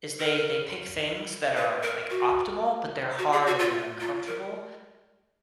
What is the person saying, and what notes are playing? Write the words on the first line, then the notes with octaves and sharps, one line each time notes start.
is they they pick things that are, like, optimal, but they're hard and they're uncomfortable,
A#4
B4
A#4
F#4
F#4
G#4
F#4
F4
F4
A#4